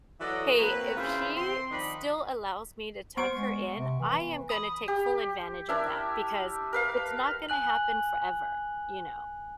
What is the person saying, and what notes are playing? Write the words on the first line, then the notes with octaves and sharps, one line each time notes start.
"Hey, if she still allows me to tuck her in, I am gonna take full advantage of that because it's not gonna happen forever," you know.
E3 F#3 F#4 A4 D5 D#5
A#3 C4 F#4 B4
C#3 E3 E4 F4 G#4 C5
C4 C6
D#3 F3 D4 D#4 D#5 B5
B3 C5 C#6 D7
G#3
C3
E3
B5 D#6
G4
D4 E4 A#4 E5
A#4 B4 F5
G#5 F#6 F#7